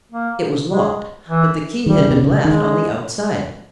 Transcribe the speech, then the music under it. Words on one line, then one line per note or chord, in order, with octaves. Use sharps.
It was locked, but the key had been left on the outside.
A#3
G#3
E3
D#3 G3
C#3
B2
C#3
D#3 G#3